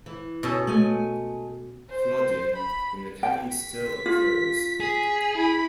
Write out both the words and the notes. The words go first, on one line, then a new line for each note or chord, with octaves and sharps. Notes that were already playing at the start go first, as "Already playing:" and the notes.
Flooding in the canyon still occurs.
E3
B2 C#4 A4
G#3 A3 G#5
C5
B5
G5
B6
F4
G#4
E4 B5